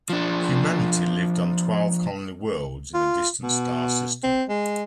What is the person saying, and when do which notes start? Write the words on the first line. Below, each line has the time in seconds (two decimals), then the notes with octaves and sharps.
Humanity lived on twelve colony worlds in a distant star system.
0.10 F3 D4
2.94 F4
3.43 B2
4.23 C4
4.48 G#3